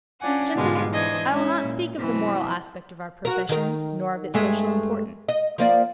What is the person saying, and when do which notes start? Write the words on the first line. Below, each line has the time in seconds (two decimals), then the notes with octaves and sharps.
Gentlemen, I will not speak of the moral aspect of our profession nor of its social importance.
0.20 C#4 D4 F4 D5 F#5 G#5
0.55 G#2 B2 D3 G3 G#3 F4
0.90 E3 D4 C5 D#5 G#6
1.31 G#3 C#4 E4
1.63 A#2
1.98 F#2 B2 E3 C4
3.25 F#4 A#4
3.49 D#3 A#4
4.34 G2 G#3 A3
5.28 D#5
5.58 F3 A#3 D5